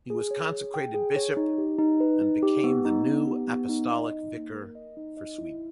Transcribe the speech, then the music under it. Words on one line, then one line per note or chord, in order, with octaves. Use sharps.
He was consecrated bishop and became the new apostolic vicar for Sweden.
G#4
C#5
G#4
G5
G#4
C#5
D#4
G4
D#4
B4
D#4
G4
B3
D#4
B3
G4
B3
D#4
D#5
D#4
A#3
A#4
D#5
D#4
D#5
E4